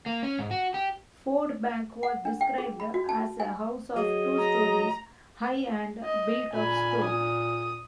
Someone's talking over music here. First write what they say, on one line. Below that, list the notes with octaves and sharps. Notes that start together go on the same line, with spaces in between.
Fordbank was described as a house of two stories high and built of stone.
A#3
C#4
G#2
F#4
G4
F#5
D4
G5
G#4
B5
F#4
A5
G#5
F#3 G#4 D#5
A#5
D#5
A#2 G#5 B5
D#6